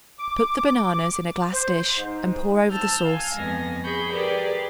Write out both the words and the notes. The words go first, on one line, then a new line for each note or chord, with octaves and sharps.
Put the bananas in a glass dish and pour over the sauce.
D6
C5
G#2
A5 E6 F6 G6
F5 G#5
F2 G#3 B3 G#5 A#6
G#4 B5 C#6 G6
G4 G#4 A#4 B4 D5